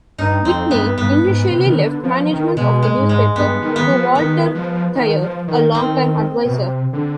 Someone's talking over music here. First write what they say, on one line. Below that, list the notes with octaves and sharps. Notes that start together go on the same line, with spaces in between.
Whitney initially left management of the newspaper to Walter Thayer, a longtime advisor.
G2 D#4
F2 C4
G2 B3
G2 B3
G#2
C3
D#3
D3
F3
D#3
B2 G#3
G#3
G#2
G#3
G2 B3
D#3
B3
F3
D#3 B3
F3
D#3
F3
D#3
C4
B2
C3
D3